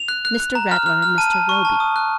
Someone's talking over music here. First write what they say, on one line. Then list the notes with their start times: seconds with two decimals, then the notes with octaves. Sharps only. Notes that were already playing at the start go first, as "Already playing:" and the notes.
"Mr. Rattler and Mr. Roby."
Already playing: F7
0.08 F#6
0.25 F#6
0.40 F#6
0.55 A#5
0.71 F6
0.86 F6
1.02 F6
1.18 A5 D#7
1.33 A5
1.49 C#6
1.65 A5
1.80 D#6
1.96 F#6